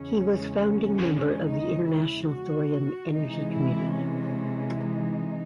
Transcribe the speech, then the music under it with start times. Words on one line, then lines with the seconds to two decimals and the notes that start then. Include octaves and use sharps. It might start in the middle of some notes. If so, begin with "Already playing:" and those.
He was founding member of the International Thorium Energy Committee.
Already playing: E2 C#3 G#3 C#4
0.62 C#4
1.45 D#4
1.87 E4
2.29 F#4
3.12 C3 E3 G#3 D#4
3.55 E4
3.96 C#4
4.80 D#4